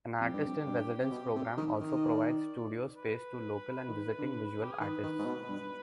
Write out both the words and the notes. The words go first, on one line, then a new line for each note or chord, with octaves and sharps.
An Artist-In-Residence program also provides studio space to local and visiting visual artists.
F2 G4
G2
F2
G2
C3
B2
C3
D#3
D#3
D#5
D5
B4
D#3
D3
G4
G#4
D#3 B4
D#3
G#2
B2
G2